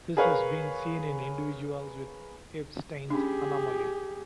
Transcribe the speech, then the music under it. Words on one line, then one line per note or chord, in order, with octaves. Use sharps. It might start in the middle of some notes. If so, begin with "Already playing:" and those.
This has been seen in individuals with Ebstein's anomaly.
G#4 A#4 B4 C#5 F5
C#4 D4 G4 G#4